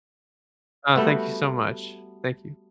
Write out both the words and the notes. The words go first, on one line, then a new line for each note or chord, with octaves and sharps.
Uh, thank you so much, thank you.
G3 A3 B3 F#4